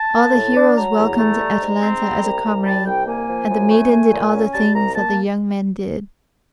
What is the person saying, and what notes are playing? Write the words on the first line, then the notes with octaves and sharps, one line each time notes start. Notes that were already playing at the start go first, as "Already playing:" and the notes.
All the heroes welcomed Atalanta as a comrade, and the maiden did all the things that the young men did.
Already playing: A5
A#3
A2
D4
F#3 A#5
E2
A3
G3
G#2
C4
G3
C2
C2
G3 A5
C2 G5
A#3 G#5
F3
F#2
A3
A3
A#2
C#4
G3 A5
C2 A#5
A#3 A5